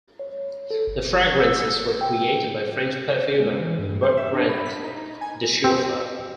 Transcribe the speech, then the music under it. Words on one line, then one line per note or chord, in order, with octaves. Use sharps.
The fragrances were created by French perfumer Bertrand Duchaufour.
C#5
A4
G1
E6
G5
G#3
E3
G2
C5
E5
D4
B5
B6
D#4
D#4
G#5
C4